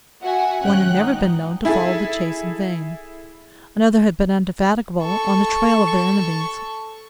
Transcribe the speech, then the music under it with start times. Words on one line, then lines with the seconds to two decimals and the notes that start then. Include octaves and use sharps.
One had never been known to follow the chase in vain; another had been indefatigable on the trail of their enemies.
0.21 F#4 E5 F#5 G#5
0.62 G#1 G#2 C#4 F#5 G5 F#6
0.96 D#4
1.65 E4 G#4 A4
5.02 A4 C#6